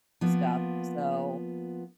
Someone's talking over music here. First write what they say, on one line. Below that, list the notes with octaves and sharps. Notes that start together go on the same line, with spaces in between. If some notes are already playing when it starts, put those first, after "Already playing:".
stuff so,
F3 A#3 B3